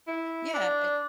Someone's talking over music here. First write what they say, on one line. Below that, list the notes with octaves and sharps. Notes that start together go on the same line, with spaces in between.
yeah, uh,
E4
D4